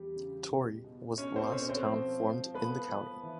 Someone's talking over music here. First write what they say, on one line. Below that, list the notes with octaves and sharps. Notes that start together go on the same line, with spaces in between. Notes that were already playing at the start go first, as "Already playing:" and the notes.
Torrey was the last town formed in the county.
Already playing: E2 G3 G4
C#3
B2
B2
B2 C#4 C#5
C4 C5
B2 C#4 C#5
C4 C5
F3
F3
F3 B3 B4
F3
E3